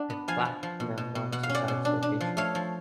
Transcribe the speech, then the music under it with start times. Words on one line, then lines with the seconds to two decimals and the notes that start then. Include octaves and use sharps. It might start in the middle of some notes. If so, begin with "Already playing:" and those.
A plaque now marks the site's location.
Already playing: D4 D5 F#5
0.10 B3
0.28 F3 F5 G#5
0.45 F3
0.63 F3
0.80 B2
0.98 B2
1.15 B2
1.32 B2 F#5
1.43 F5
1.49 C#4
1.55 D5 F#5
1.68 B2
1.85 D4
2.03 D4
2.21 F3
2.37 A3 C#5 F5
2.55 F3